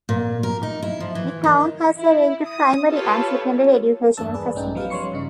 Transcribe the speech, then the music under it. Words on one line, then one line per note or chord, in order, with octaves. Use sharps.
The town has a range of primary and secondary educational facilities.
A#2
A#4
D#4
E4
F3
E3
D#3
E4
D#6
F4 G4 A4 B4 C#5
E2 G2 A#3 D4 A5 E6
G#4 B4 D5
A#1 G2 A3 C#4 D#4 G5
F3 F#3 B3 B4 F5
G3 C#4 C#5 C6 C#6 C#7
G2 C#3 D#4